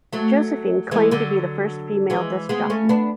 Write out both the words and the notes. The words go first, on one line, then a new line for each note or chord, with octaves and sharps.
Josephine claimed to be the first female disk jockey.
F#3 A3
E3 G#3
D3 F#3
E3 G#3
G#3 B3
A3 C#4
B3 D4